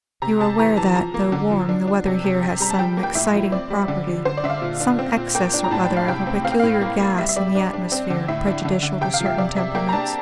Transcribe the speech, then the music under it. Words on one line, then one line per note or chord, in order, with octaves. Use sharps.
You are aware that, though warm, the weather here has some exciting property, some excess or other of a peculiar gas in the atmosphere, prejudicial to certain temperaments.
C3 A#5
C3 A5
E3 A#5
E3 A5
F3 A#5
A#3
D3
F3
D4
D4
C3
C3
C3
G3 A#5
A5
F3 G5
A#3
G5
A2 E5
F3
C4 D5
G3
D3
F3
D3 C5
D5
D3 E5
F5
A#2
D4
C4
A#2
A#3 G5
D4
A#5
A2 A5
G5
A2
F5
C3 G5
C4
C4 F5
G5
A2 F5
A#3
A#3
G3 E5
E5
G3 D5
D4
D4
C4
D3
A2 E5
D4
D3
D3
C3 G5
F5
F3
E5
C3 D5
C3 E5
A#3 G5
A#5
D4 A5